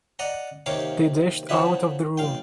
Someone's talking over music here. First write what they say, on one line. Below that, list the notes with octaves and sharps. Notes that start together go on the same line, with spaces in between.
They dashed out of the room.
D5 D#5 F#5 A#5
D#2 C3 A#3 C#5 F5 D6
F3 F#3 C4 E4 B4
A1 F5 G5